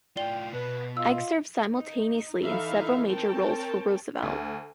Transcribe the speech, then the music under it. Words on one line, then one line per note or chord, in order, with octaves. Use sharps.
Ickes served simultaneously in several major roles for Roosevelt.
A2 F4 D5 G5 G7
B2 B3 B4
F4 D#5 E6
D#4
E3 D#4 E4 A4 E5 F5
C4 A#4 C#5 G5 A5
D2